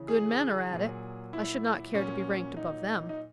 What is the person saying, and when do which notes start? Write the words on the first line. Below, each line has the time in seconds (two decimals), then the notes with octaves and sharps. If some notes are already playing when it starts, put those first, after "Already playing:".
"Good men are at it; I should not care to be ranked above them."
Already playing: C#3 E3
0.08 G#4
0.71 A#2 F#3
1.33 E4
1.94 A#2 F#3 C#4
2.57 D#4
3.09 D#4